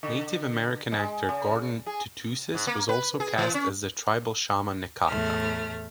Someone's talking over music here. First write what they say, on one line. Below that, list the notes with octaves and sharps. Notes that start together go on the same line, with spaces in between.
Native American actor Gordon Tootoosis was also cast as the tribal shaman Nekata.
D3
G#3
C#3
G#4
G#2
A#3
B4
G#4
E3
C#4
E2 A2 A3 F6